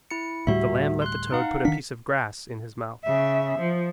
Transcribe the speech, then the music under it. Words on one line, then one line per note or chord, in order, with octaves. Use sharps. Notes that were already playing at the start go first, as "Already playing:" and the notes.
The lamb let the toad put a piece of grass in his mouth.
E4 C#7
D2 A2 G3 F#4 E5
C6 F#6
D#4 F5 F#5
D#3 D4 B6
C#3 E5
F3